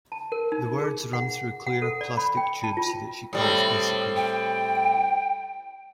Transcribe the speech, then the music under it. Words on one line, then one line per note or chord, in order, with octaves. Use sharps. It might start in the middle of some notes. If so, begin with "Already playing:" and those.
The words run through clear plastic tubes that she calls icicles.
A5
A#4
D#4
G#4
F#5
F#5
A4
D5
B5
G5
A5
F4
A2 G3 C4
G5